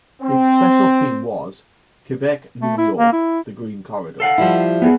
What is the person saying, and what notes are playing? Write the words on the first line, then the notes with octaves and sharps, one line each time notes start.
Its special theme was: "Quebec-New York: The Green Corridor".
C4
A3
E4
A#3
E4
A4 F5 F#5
F3 G3 E4
B3 G#4